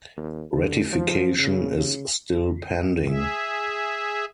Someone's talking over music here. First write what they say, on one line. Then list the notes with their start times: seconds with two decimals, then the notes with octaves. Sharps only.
Ratification is still pending.
0.17 D#2
0.55 D3
0.93 F3
1.38 C#3
1.77 C#3
3.08 G#4 E5